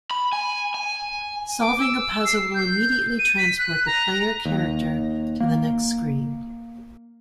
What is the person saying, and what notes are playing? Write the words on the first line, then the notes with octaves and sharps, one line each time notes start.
Solving a puzzle will immediately transport the player character to the next screen.
B5
G#5
G#5
D6
E6
C7
G6
D#7
B6
F#6
A#5
D#2
A#3